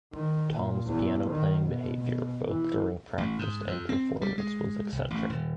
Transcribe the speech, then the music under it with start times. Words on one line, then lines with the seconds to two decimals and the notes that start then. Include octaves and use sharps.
Tom's piano-playing behavior, both during practice and performance, was eccentric.
0.14 D#3
0.53 A#2
0.86 E2
1.30 D#3
1.66 B2
1.99 B2
2.48 E3
3.18 A1
3.39 G#2
3.67 F2
3.89 C4
4.22 G3
4.38 G#3
4.92 C2
5.10 A1
5.29 D#1